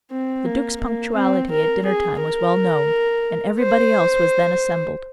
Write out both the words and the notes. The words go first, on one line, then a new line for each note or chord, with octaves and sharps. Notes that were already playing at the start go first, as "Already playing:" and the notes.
The Duke's punctuality at dinner-time was well known, and everybody else was then assembled.
C4
A#3
A#3
C4
A#4
G#4
A#4
C5